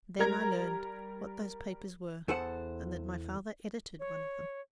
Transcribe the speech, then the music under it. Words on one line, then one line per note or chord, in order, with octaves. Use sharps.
Then I learned what those papers were, and that my father edited one of them.
G3 A#4 A#5 G#6
E2 A4 C5 F#5
C#5